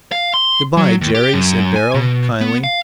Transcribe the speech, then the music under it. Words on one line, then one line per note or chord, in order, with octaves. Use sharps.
"Good-bye, Jerry," said Beryl, kindly.
F5
C6
F#3
D#2
G4
F#2
G#5
B2
B3
F5